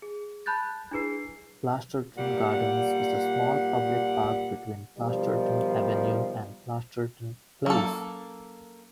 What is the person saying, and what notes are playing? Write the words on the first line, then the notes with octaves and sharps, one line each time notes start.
Plasturton Gardens is a small public park between Plasturton Avenue and Plasturton Place.
G#4
A5 B5 F#6 G6 A6
D4 E4 G#4 B4 C7
A#2 G3 F#5
B2 D#3 F3 G3
F#3 A#3 C#4 A4